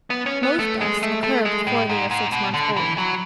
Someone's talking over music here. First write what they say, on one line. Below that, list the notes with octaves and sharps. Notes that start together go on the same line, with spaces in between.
Most deaths occur before they are six months old.
B3
C#4
B3
A3
G#3
A3
A3
G#3
A2
G#2
G#2
B2
D3
E3
F#3